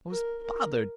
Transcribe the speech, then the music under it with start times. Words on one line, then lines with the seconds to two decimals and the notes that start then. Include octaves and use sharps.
I was bothered!
0.10 A#4
0.43 A#4